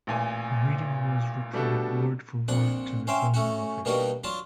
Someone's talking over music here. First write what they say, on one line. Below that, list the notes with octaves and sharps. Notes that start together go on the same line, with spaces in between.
The meeting was reported word for word to the Home Office.
A1 A#2 G#5
B2 G3 A3 D4 F#4 A4
A#1 F2 D4 F#5
C#4 C5 E5 F5 G5
A3 C#4 F#4
B2 G3 A#3 D4 D#4 F#4
F#3 D4 F4 A5